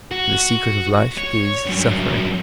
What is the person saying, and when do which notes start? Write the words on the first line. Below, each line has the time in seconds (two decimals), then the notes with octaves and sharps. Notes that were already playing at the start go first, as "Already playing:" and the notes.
For the secret of life is suffering.
0.12 F#4
1.18 C#5
1.66 G2 F#3